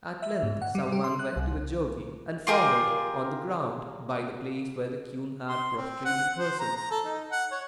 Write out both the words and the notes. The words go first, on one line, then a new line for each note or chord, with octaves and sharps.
At length some one went to the jogi, and found it on the ground by the place where the queen had prostrated herself.
E5
G#2
F#5
G3
G4
C6
F#6
C2
F4 G4 G#4 A#4
C6
C4
F#5
C5
A#5
A#5
A4
D#4
F#5
C#5